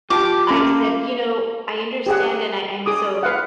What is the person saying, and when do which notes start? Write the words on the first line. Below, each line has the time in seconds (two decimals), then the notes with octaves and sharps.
I said, "You know, I understand, and I I'm so
0.10 F4 G4 A5 D6
0.51 A#3 C#4
2.06 G4 G#4 F#5
2.86 G#4 D6 D#6
3.23 B4 F5 F#5